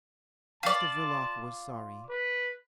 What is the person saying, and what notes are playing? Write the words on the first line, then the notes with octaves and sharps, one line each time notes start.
Mr Verloc was sorry.
F4 D5 A5
B4